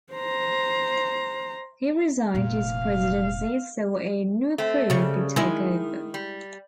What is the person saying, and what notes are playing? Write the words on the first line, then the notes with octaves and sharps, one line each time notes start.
He resigned his presidency so a new crew could take over.
C5 A#5
F1 A#2 F5
A3 C4
C#3 G3
D#3 G#3 E4
G3